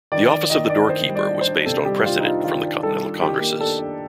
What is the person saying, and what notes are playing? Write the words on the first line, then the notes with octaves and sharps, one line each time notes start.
The Office of the Doorkeeper was based on precedent from the Continental Congresses.
D#3 D5
D#3 D5
D#3 D#5
D4 D5
D#3 C5
G3
D5
D4
C5
D4
C3 A4
G3 G4
D4 F4
D#4
D4 F4
D#3 F4
D4
G3 A4
D4
D#3 G4
A#3
D4 A4
D4